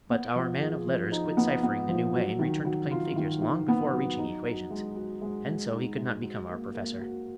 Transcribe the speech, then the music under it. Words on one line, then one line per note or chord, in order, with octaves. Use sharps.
But our man of "letters" quit cyphering the new way, and returned to plain figures long before reaching equations; and so he could not become our professor.
B3
F3
G#4
F3
D#4
B3
B3
F3
F#3
D#3
F#3
F4
D#3
D#3
B3
F#3
D#4
F#4
G#3
F#4
G#3
G#3
D#4
G#3
F#4
A#3
A#3
F#4